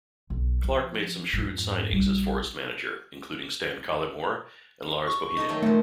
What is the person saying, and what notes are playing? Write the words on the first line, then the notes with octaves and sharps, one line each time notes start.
Clark made some shrewd signings as Forest manager, including Stan Collymore and Lars Bohinen.
B1
F3
F2 G#2
A#1 G3
C#6
D#4 A4 D#5
D#3 F#3 A3
A#2 F3 A3